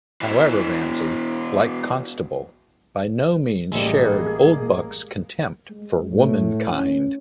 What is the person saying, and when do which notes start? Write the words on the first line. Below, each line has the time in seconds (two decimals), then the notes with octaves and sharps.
However Ramsay, like Constable, by no means shared Oldbuck's contempt for "womankind".
0.22 B2 E3
3.72 A1 G3 G#3 A#3 G#4 A4 E5
5.70 G#3
6.11 A2
6.72 C#4